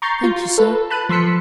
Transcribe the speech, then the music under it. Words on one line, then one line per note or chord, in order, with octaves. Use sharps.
"Thank you, sir."
A#5 C#6 G6 A6 C7
F4
A4 B4
A5 B5 F#6 D#7
F3 C6 E6 B6 C#7